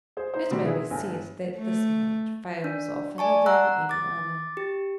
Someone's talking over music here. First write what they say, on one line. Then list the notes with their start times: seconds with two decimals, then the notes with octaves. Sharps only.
It may be said that this mode fails oftener than any other.
0.17 G#4 C5
0.34 D#4 C5
0.51 B2 D#3 G3 C4 D4
0.64 D#3 E4 G#4 B4
0.91 G1 D3 G#5
1.58 A3
2.64 D4
3.18 D5 G#5 A5 C#6
3.46 F#5 A#5 E6 F#6
3.89 D6 A6
4.57 G4